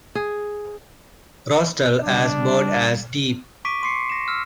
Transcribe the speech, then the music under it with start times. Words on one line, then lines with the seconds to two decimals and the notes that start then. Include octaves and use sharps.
Rostral as broad as deep.
0.15 G#4
2.03 C#3 G3 D4
3.65 C#6 D6 B6 D7 D#7
3.83 C6 D6 C7 C#7
4.10 A#6 E7
4.28 E6 F6